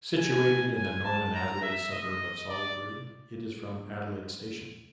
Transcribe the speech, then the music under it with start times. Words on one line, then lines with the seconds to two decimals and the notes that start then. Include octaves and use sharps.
Situated in the northern Adelaide suburb of Salisbury, it is from Adelaide station.
0.18 G#5
0.76 G#5
1.04 A5
1.34 A#5
1.62 E5
1.92 D#5
2.49 D5